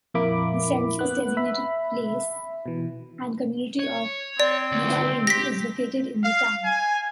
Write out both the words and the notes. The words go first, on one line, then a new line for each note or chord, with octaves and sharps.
The census-designated place and community of Navarino is located in the town.
F2 A#2 A#3 E4 B5 D6
B3 F#6
E5 B5
B2 E3
C#5
C4 D5
D2
G4 A#6 B6
F5
G#5